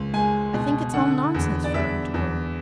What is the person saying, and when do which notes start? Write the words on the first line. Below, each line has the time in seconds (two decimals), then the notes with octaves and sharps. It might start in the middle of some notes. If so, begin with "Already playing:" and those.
I think it's all nonsense for 'em to go.
Already playing: C#2
0.14 G#3 G#5
0.54 B2
0.94 D3 F#5
1.34 E2
1.64 D5
1.74 E2 E5
2.14 E2